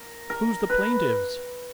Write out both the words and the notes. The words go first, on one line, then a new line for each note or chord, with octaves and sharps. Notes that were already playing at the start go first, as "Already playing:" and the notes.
'Who's the plaintives?
Already playing: A#4
A#4
B4